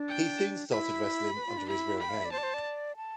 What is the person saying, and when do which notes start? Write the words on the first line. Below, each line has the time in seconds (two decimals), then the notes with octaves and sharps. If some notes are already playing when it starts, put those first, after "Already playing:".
He soon started wrestling under his real name.
Already playing: D4
0.08 G5
0.72 E4 B5
1.36 B4
1.47 F4
1.58 D4
1.68 E4 B5
2.00 G5 B5
2.09 F5
2.17 E5
2.25 D5
2.32 C5 A5
2.38 D5
2.43 C5
2.54 D5
2.96 A5